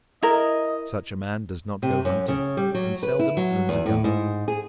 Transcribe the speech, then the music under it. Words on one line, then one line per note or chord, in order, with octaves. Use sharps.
Such a man does not go hunting and seldom owns a gun.
E4 A#4 D#5
C3
F#2
C#3
G3
F#3
B4
E4
F#3
E2
A2
G#2
G#4